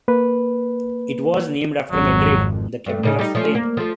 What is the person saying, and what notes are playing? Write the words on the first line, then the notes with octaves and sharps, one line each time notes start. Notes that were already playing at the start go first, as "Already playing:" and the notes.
It was named after Madrid, the capital of Spain.
A#3 B4
G#1 F2 F#3
G2 A3
A2 C#3 D#4
G3 D#4
F3 A3 C#4
A#3
F3 A3